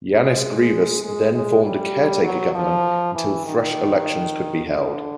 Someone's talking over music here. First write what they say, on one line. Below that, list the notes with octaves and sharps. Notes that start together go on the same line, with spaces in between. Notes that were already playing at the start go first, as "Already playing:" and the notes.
Yiannis Grivas then formed a caretaker government until fresh elections could be held.
G#3
G#3
G#3
G3
F#3
F3
E3
D#3
D3